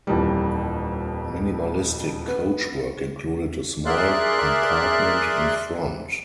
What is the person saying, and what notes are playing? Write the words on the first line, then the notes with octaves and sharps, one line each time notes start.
Minimalistic coachwork included a small compartment in front.
D#1 F2 E3 G3
B3
G#4 A#4 D5 E5 C6 F#6